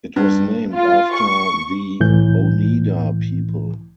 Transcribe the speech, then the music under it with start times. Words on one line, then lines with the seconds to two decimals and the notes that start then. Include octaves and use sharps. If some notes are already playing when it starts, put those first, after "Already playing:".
It was named after the Oneida people.
0.16 G2
0.73 F4
1.15 C#6
2.00 C2 A2 E3 G6